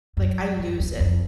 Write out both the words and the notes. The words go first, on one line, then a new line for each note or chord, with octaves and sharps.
Like, I lose it.
F#2
F#2
E2
F2